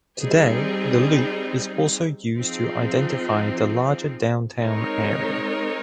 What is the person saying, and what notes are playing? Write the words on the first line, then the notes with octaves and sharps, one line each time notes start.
Today, the Loop is also used to identify the larger downtown area.
G3 C4 D#4 G#4
F3 C4 D#4 G#4
G#3 C4 D#4 A#4 C#5